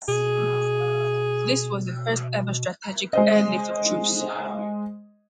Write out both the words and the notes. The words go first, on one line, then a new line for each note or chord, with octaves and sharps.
This was the first-ever strategic airlift of troops.
B2 G#4
G#3 C5 D#5